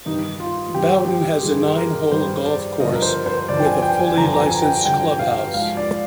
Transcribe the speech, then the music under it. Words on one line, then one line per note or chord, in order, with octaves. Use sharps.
Bowden has a nine-hole golf course with a fully licensed clubhouse.
G2 D#3 G3 D#4
F4
G2 D#3 G3 G4
G4
G2 D#3 G3 G#4
A#4
G2 D#3 G3 C5
D5
G2 D3 F3 D#5
A#4
C5
C5
G2 D3 F3 D5
G5
G#5
G5
G#5
G2 D3 F3 A#5
A#5
G#5
G5
G2 D3 F3 G5
F5
G#2 F3 F5
D5